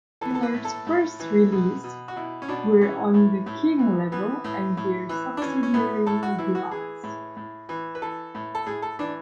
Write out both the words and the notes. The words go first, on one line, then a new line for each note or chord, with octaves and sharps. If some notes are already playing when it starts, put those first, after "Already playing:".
Taylor's first releases were on the King label and their subsidiary DeLuxe.
E3 A4
A4
B4
A2
A4
A2
E3
B2
B2
F#4
B2 E4
C#4
B2 D4
E3 C#4
A2
A2
E3
E3 B3
A2
A2
E3
D4
E3 C#4
C#4
A2 B3
A2 A4
F#4
E3 E4
F#4
E3 G#4
A2
A2
E3
B4
E3 A4
A2
A4
A2 G#4
A4
E3 D4